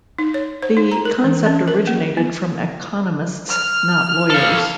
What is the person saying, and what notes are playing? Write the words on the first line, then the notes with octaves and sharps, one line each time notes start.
The concept originated from economists, not lawyers.
D#4
C#5
C5
D#4
A#5
A#4
E3
C#4
A#4
A#3
B3
F6
A4 F5